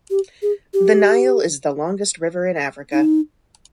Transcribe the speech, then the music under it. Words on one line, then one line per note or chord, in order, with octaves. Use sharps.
The Nile is the longest river in Africa.
G4
G#4
G4
D#4